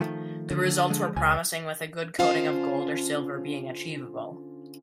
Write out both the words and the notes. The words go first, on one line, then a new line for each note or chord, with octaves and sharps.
The results were promising with a good coating of gold or silver being achievable.
D#3 F3 A3
D3
F3 G#3
C#2 G#5
D3 C#4 F4 C5 F5 A5